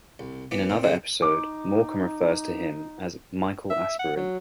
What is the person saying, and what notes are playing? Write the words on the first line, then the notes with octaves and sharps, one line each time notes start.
In another episode, Morecambe refers to him as "Michael Aspirin".
C2
E3 B3 D6
A#2 C4
C#3 F#3 C4 G#4
D#4 D6
E5
F#5
F#3